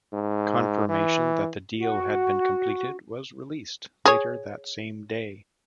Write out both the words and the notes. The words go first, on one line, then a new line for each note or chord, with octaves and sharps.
Confirmation that the deal had been completed was released later that same day.
G#2
E3
F#4
G#4 C#5